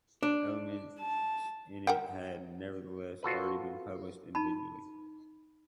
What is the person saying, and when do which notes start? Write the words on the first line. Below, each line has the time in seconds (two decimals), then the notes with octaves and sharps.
Elements in it had nevertheless already been published individually.
0.23 D4
1.00 A5
1.87 A#4 F#5 G5
3.23 F4 F#4 A4 B4
4.35 D#4 A5 B5